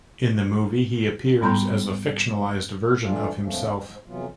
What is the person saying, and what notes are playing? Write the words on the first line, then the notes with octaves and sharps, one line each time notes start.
In the movie he appears as a fictionalized version of himself.
G#2 G3 B3 A#5 C6 G6
F2 E3 D4 F4
E2 G#2 C#3 F3 A3
G#2
F2 C3 E3 F#3 B3 F4